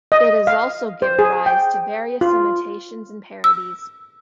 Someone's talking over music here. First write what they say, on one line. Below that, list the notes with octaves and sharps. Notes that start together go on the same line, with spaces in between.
It has also given rise to various imitations and parodies.
D#5
F5
C5
G#4
G5
F4
E6